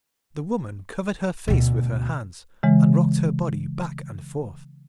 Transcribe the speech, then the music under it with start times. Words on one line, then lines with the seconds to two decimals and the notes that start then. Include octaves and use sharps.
The woman covered her face with her hands and rocked her body back and forth.
1.48 D2 B2
2.63 C#3 E3 G#3